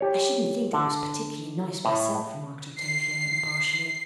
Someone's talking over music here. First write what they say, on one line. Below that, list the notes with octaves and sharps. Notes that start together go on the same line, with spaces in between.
"I shouldn't think that was particularly nice, myself," remarked Octavia impartially.
G4 C#5
D3
A2
C7